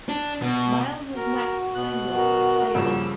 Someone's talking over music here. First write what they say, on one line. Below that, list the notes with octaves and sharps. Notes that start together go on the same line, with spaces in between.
Miles' next single was "Fable".
D4
B2
F#4 A#4
B2 B3 F#6
F#4 A#4
G2 C#3 F3 A#3 E6